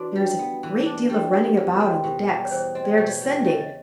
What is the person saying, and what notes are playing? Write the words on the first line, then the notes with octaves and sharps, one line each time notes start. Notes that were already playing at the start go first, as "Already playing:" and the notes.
There is a great deal of running about on the decks--they are descending.
Already playing: E3 D4 F#4
G3
B3
E3
D4
G3 G4
B3 G4
G4
E2 G#4
A#4
C4
B2 G4
G3 G#4
C#5
E2 C5
C4 D#5
D5
B2 C#5
D5
G3
E5
C#3 D#5
D#5